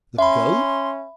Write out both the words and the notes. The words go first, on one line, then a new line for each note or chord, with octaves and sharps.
"The goat?"
C#4 E5 B5 C6